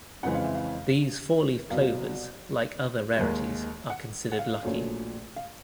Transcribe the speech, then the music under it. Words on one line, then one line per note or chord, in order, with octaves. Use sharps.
These four-leaf clovers, like other rarities, are considered lucky.
F2 C#3 E3 G#3 C4 F#5
F5
E5
F5
C2 B2 F#3 F5
D#2 D#3 G#3
F#5
F#5
F5
A#1 A#2 F#3 A3 C#4
F5